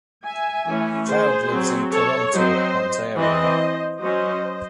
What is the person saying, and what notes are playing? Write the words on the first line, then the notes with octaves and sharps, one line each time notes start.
Child lives in Toronto, Ontario.
E5 G#5
E3 A3 C#4
G#4 C5
F#3 C4
A4 C#5
F#3 C4 C5 D#5
E3 C4 C5 D#5
F#3 C#4 C5 D#5